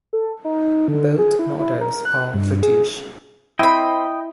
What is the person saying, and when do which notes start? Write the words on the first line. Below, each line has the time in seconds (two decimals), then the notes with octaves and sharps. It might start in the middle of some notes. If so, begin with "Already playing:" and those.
Both models are British.
0.13 A4
0.45 D#4
0.88 D3
1.19 G#4
1.39 E4
1.59 E4
1.81 A#4
2.05 F#6
2.34 G2
2.63 G#4
3.59 C4 E4 D#5 G5 B5